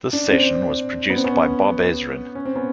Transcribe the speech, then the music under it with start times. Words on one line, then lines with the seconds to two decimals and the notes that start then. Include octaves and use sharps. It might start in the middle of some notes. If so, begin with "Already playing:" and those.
This session was produced by Bob Ezrin.
0.13 D4
0.31 C4 D4
1.10 B3
1.17 C4
1.24 B3 C#4
2.35 C#4
2.45 C4
2.56 B3 C#4